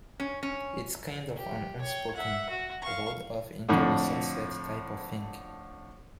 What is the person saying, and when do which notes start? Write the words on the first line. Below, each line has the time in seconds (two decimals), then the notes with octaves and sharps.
It's kind of an unspoken, rode off into the sunset type of thing.
0.20 C#4
0.43 C#4
1.36 G4
1.81 C#5 G5
2.14 E5 F#5
2.50 F#4
2.82 F5 C#6
3.69 F2 A2 D3